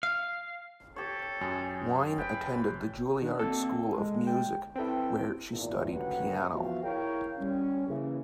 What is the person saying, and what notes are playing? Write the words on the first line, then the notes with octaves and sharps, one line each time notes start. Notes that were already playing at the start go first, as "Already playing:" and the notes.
Wine attended the Juilliard School of Music, where she studied piano.
F5
G4 A4 C#5
F#2 G#4
G1 B4 G5
D#3 D4
B2 A#3 C4 A4
G#3
G5
C4 E4 A4 B4 G5
G#1 E2 A#2
F#1 D2 F#3 G4 B4 F#5
E2 F3 B3 F#4 E5 F5
E4 G#4 A#4 C#5 F5 G5
G3 C#4
C#3 E3 A#3